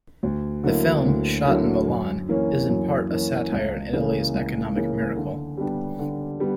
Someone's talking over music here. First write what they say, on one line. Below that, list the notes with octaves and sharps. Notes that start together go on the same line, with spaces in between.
The film, shot in Milan, is in part a satire on Italy's economic miracle.
D2
D3 F#3 A#3 E4
D2
D3 F#3 A#3 E4
F#2
E3 A#3 C#4
F#2
E3 A#3 C#4
C#2
C#3 E3 A#3
C#2
C#3 E3 A#3
D3
G3 B3 D4 G4
D3
G3 B3